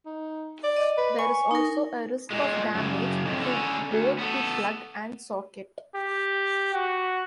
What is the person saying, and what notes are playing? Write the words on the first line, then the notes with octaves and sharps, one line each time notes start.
There is also a risk of damage to both the plug and socket.
D#4
D5
D#5
B4
G#5 C#6
D#4 A#4
A#2 G#3
F#2 C#3
F2 A2
D3 C#4
D2
B3 A4
G4
F#4